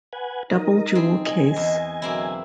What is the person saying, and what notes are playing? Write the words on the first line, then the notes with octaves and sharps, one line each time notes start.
Double jewel case.
B4 F#5 G#5
D#4 A#4 D#5
C4 G#4
D#5 G#5
E2
B2 D3 F#3 A#3 C4 E4